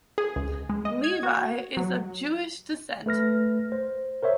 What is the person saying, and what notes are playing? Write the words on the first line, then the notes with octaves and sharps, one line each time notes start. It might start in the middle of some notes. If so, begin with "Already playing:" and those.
Levi is of Jewish descent.
G#4
C#2
G#3
D#5
G#6
F#4
F#3
A3 B4 F6 A#6
C5
A#4 C5 C#5 E5